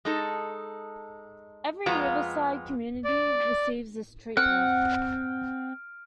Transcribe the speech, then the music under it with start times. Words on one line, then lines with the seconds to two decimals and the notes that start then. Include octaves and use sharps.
Every riverside community receives this treatment.
0.05 G#3 D#4 A4
1.86 F2 G#3 B3 F4 A#5
3.05 D5
4.37 C4 F#5 F6 D7